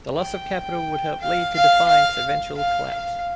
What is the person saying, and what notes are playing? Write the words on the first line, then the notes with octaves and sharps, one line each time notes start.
The loss of capital would help lead to Defiant's eventual collapse.
G5
F5
F5
F5
F5
F5